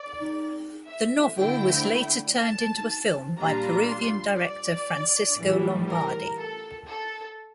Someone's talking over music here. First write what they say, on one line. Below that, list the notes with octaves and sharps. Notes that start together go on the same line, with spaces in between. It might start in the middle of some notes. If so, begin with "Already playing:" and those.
The novel was later turned into a film by Peruvian director Francisco Lombardi.
Already playing: D5
E5
D3 A3 E4 G5
A5
A#2 G3 D4 F4 A#5
C6
D5
A2 E3 G3
A#4
A4
A4